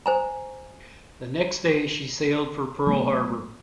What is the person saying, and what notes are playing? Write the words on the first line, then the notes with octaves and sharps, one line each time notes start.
The next day she sailed for Pearl Harbor.
C5 G#5 A#5
F#3 A3 B3